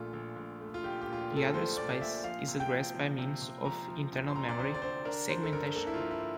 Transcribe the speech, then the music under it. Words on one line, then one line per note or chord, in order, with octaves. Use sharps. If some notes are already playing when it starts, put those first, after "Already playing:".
This address space is addressed by means of internal memory "segmentation".
Already playing: A#1 A#2 A3 F4
A#1
A#1
A3
F4
A#1 G4
G4
A#2
F4
G4
A3
A4
A#1 C5
A#2 D5
A#2 E5
F3 F5
C3
G5
F3
F3
C3
C3
F3 A#5
F3
D2
C6
C3 A#5
D5
D2 C5
D5
D2 C5
D4 A#4
D4 C5
A4
G2 A#4
A#3 A4
E4
F4
F3
E4